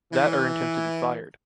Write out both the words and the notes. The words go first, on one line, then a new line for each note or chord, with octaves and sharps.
That earned him to be fired.
E3